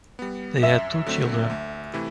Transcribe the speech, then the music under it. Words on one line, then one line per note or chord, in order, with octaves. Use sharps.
They have two children.
G3 B3
F#2 E5
D3 F#3 A3 C4
D2
C3 E3 A3 E4